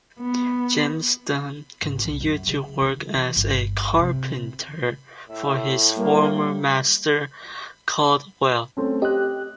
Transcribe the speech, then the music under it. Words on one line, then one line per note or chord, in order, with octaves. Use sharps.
James Dunn continued to work as a carpenter for his former master Caldwell.
B3
G#1
C2
F#2
C#3
D#3
E3
G1
C3
A2 E5
G3 A#3
A3 C4 C#4
G4 D#5 F#6